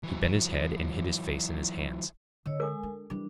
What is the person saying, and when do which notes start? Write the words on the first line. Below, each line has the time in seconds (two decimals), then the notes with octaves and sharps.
He bent his head, and hid his face in his hands.
0.03 E3 F#3
2.46 D3 C#5 D#5 E6
2.60 G#3 A4 A#4 G#5
2.83 D4
3.10 E3 G3 D4